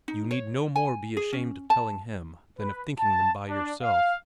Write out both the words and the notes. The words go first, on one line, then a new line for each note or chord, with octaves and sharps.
You need no more be ashamed of telling him than of thinking them by yourself.
D#4
C#5
G#5
G#4
C#4
A5
B4
A5
D4
F5